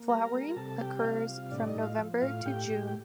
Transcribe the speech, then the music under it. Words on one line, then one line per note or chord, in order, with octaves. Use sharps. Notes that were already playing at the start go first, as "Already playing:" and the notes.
Flowering occurs from November to June.
Already playing: A#3
G3 A#4 A#5
G3
C3 A4 A5
G3 G4 G5
D#5
C3 F4 F5
G3
A2 D4 D5
D#4 D#5
A2
F4 F5
F3
A2 F4 F5
A2 G4 G5
A2
G5